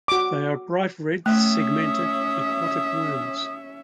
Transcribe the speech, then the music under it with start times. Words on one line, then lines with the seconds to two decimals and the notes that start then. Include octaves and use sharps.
They are bright red, segmented, aquatic worms.
0.08 F#4 D6
1.26 A3 C#4 E5 D#6